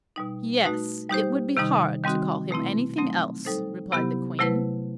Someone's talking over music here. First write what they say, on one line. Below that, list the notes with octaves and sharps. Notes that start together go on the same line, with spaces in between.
"Yes, it would be hard to call him anything else," replied the Queen.
B2 G3 D#4
A3 D#4 F#4 B4
G3 D#4 G4 C5
C3 D#3 G3 D#4
D#3 G3 C4 D#4 F#4
B2 A3 C4 E4
F#3 A3 C4 D#4
G3 D#4 A4 C5
C3 F#3 B3 E4 G4
C3 F#3 A3 E4 B4